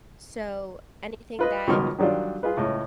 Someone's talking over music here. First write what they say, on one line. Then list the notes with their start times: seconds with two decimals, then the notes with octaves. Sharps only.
so anything that
1.39 F4 B4 D#5
1.67 C#2 B2 D#3 F3 C6 F6
1.98 D#3 F#3 G3 D4 F4
2.43 F4 G#4 B4
2.57 C#2 A2 D#5